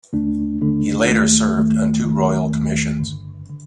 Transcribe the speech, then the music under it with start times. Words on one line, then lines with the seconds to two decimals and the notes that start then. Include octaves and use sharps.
He later served on two Royal Commissions.
0.13 D#2 D3 A3 D4
0.61 D#2 D3 A3 D4
1.09 D#2 D#3 A3
1.56 D#2 D#3 A3
2.05 D#2 D#3 A3
2.52 D#2 D#3 A3
2.99 G1 G2 D3
3.50 D3